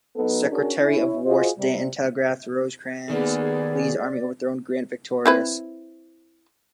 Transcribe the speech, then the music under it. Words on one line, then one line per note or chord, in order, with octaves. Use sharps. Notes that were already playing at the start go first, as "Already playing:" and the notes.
Secretary Of War Stanton telegraphed Rosecrans, Lee's Army overthrown; Grant victorious.
F#3 B3 D#4 A4
C#4 D4 F#4 G#4 A#4
C#4 E4
F4 F#4 G#4 C5 D#5
C3 G3
D#3 A#3 B3 G#4 D5
C4 E4 B4